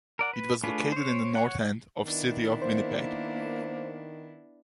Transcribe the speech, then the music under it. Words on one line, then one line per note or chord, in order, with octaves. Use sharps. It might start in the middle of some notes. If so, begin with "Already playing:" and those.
It was located in the north end of city of Winnipeg.
A#4 D5 F#5
B4
A3 D4 F4 G#4 B4
C5 C#5
C#5 F#5
D#3 B3 D4 E4
A#3 C5